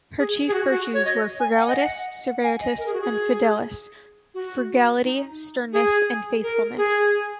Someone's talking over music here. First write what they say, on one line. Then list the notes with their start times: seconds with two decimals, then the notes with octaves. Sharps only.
Her chief virtues were "frugalitas, severitas" and "fidelis"-frugality, sternness, and faithfulness.
0.18 G#4
0.47 G#4
0.53 F#4
0.70 F#4
0.93 C#5
1.04 D#5
1.39 G#5
1.56 F#5
1.67 D#5
1.77 F#5
2.26 F#5
2.43 G#5
2.61 D#5
2.78 A#4
2.86 G#4
2.93 F#4
3.01 G#4
4.34 F#4
5.03 D#4
5.72 G#4
6.42 A#4
6.77 G#4